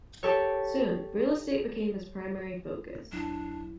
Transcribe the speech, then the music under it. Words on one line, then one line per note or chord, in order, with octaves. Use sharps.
Soon, real-estate became his primary focus.
G4 A4 C#5
E2 F#3 D4 E4